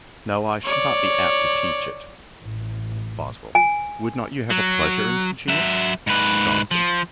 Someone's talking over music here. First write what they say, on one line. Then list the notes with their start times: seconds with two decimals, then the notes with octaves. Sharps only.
'No, I should not be apt to teach it.' BOSWELL. 'Would not you have a pleasure in teaching it?' JOHNSON.
0.64 C#5 D5
2.40 A1
3.55 G#5
4.50 F#3
5.48 F#3 E5
6.07 G#2 B4
6.71 F3